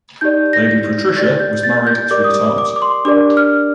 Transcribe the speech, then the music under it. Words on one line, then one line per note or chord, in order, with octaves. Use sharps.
Lady Patricia was married three times.
D#4 G4 D5 G6
A#6
G4 D5 A6
G6
A6
G6
G4 A#4 D5 D6
D#6
D6
D6
D6
C6
D4 G4 A#4 D5 D6
F6